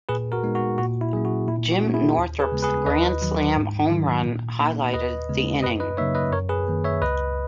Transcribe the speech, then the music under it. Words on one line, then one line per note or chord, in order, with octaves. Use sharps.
Jim Northrup's grand slam home run highlighted the inning.
A#2 G#4 B4
F#4 A#4
G#3 B3 D#4
F#4
A#2 F#4
E4
F#3 A#3 C#4 G#4
F#4
A#2 E4
F#4
A#3 C#4
E4 G#4
D#2
G#4 B4
C#3 G#3 B3
G#4 B4
D#2 B4 D#5
D#3 F#3
G#2
D#3 F#3
A#2
A#3 D#4
D#2 B4 D#5
C#3 G#3 B3
F#2 B4 D#5
B4 D#5
C#3 F#3 A#3 D#4 C#5 E5
B4 D#5
F#2 A#4 C#5
G#4 B4
D#3 A#3
C#5 E5
C#2 B4 D#5